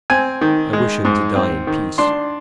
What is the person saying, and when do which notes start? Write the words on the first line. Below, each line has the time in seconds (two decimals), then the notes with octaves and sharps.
"I wish him to die in peace."
0.10 C4 G#5
0.41 D#3
0.73 G#3
1.05 G#2
1.35 C4
1.67 D#3
1.98 D4 C6